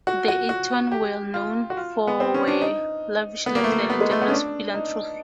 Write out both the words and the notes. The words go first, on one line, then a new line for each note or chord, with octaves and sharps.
The Eatons were well-known for their lavish lifestyle and generous philanthropy.
F#4
F#4
F#4
G4
F4
F#4
F4
B3
C4
C#4
D4
D#4
B3
A#3
A3
A#3
B3
G#3
A3
B3
C#4
D4
D#4